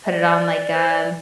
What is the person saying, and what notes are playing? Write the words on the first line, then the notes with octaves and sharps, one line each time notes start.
put it on, like, um,
E5
D5
C5
D5